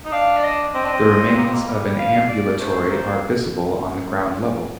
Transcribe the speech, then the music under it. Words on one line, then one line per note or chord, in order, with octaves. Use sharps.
The remains of an ambulatory are visible on the ground level.
D#4
D4 F5
D5
D#5
C4 D#5
D4
C4
A#3
C4
A#3
G3
F5
D5
A3 C5
A#3 C5